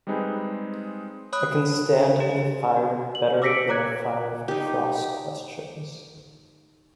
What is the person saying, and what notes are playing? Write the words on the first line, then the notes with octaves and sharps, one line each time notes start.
I can stand any fire better than a fire of cross questions.
G3 G#3 C4 D#4 G#4 B4
C#5 B5 D#6 F#6
G4
F#4
F#7
D6 E6 A#6 B6 C#7 D7
C#5 A#5 D6 F#6 G#6
D#4 G4